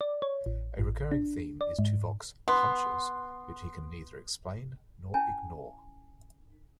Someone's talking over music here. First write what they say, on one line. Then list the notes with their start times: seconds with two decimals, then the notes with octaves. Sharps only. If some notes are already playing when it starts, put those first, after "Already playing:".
A recurring theme is Tuvok's "hunches", which he can neither explain nor ignore.
0.01 D5
0.22 C#5
0.46 A1
0.79 A1
1.12 D4
1.61 D5
1.79 G#2
2.48 B3 C6
5.14 C#4 E4 G#5 A5